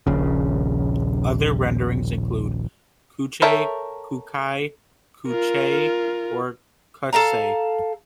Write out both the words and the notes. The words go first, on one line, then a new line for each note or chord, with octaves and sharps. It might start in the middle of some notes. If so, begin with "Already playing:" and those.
Other renderings include "cuchay", "kucai", "kuchay", or "kutsay".
D#1 A#1 C#3
A4 A#4 C#5 E5 G5
F4 A#4
A4 A#4 F5 A#5